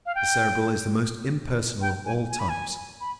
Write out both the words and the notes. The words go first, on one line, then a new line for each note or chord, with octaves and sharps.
The Cerebral is the most impersonal of all types.
F5
G5
G5
G#5
G#5
B5
G#5
B5